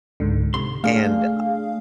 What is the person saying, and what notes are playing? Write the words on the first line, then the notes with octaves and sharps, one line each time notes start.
And, uh,
C#2 G#2 D3
C3 C6
A3 D4 G#4 F5